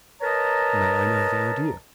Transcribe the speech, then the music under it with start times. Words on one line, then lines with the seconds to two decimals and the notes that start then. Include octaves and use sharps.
"May I know the idea?"
0.21 A#4 B4 C#5 D#5 A5 A#5